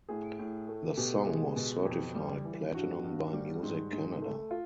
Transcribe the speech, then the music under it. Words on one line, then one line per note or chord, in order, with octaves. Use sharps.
The song was certified Platinum by Music Canada.
A2 G#4
A2
A3
B2 G4
G#3
B2
F2
G3
E3
G2 F#4
G2
G3
G#2
G#2
A3
F4